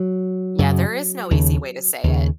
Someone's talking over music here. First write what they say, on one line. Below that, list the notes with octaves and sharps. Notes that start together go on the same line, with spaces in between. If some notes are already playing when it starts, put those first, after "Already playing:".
Yeah, there is no easy way to say it.
Already playing: F#3
F#2 C#3
D#2 C#3
D#2 C#3